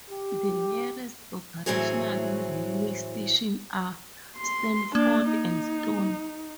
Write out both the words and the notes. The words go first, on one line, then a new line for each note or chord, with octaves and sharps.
The nearest operational railway stations are Stafford and Stone.
G4
A2 E3 F#3 C4 G#4 C#5
C6
A#3 D4
D#4